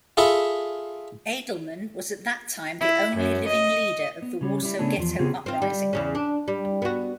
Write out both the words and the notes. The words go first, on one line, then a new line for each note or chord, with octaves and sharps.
Edelman was at that time the only living leader of the Warsaw Ghetto Uprising.
F4 G#4 A4 E5 B5 C#6
E4
F#2
D#5
B3
C#3 G3 C#4
G3 E4
C#3 A3 B3 C#4 D4
E2 F3
C#3 B3 C4 F4 G4 G#4
C4 F4
G3
E2 C#3 C#4
D4
G3
B3 F#4